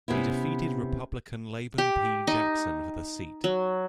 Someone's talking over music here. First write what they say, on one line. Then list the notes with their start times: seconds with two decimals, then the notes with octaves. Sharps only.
He defeated Republican Laban P. Jackson for the seat.
0.08 C3 B3 C#4 E4
1.78 G4
2.27 D#4
3.44 F#3